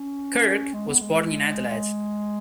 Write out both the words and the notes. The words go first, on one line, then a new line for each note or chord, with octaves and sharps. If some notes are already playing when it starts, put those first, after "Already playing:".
Kirk was born in Adelaide.
Already playing: C#4
G#3
B3
G#3
G#3